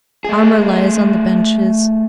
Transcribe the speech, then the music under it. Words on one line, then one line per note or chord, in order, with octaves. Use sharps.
Armor lies on the benches.
A3 G#4